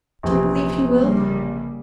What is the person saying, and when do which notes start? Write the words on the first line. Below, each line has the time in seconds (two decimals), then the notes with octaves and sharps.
"Do you believe he will?"
0.23 A#1 C3 E3
0.95 C#3 G3 A#3